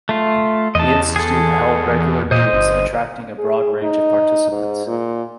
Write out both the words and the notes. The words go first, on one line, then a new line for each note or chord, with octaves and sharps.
The institute held regular meetings attracting a broad range of participants.
A3 F4
E2 D#5 A5
G#4 A4
A#2 C5 D#5
G1
G#4
D#4
G#2
A#2